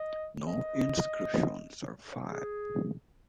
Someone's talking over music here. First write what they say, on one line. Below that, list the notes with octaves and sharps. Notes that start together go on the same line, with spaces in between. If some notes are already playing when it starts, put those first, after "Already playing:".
No inscription survives.
Already playing: D#5
D#5
G#4